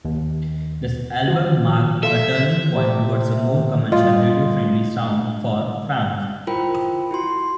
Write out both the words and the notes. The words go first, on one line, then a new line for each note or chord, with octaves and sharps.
This album marked a turning point towards a more commercial radio-friendly sound for Phranc.
D#2
D#3 F3 F#4
A4 E5 F5 C6
C3
G2 F4 D#5
E4 F4 A#4 C5 G5 B5
E4 F#4 C6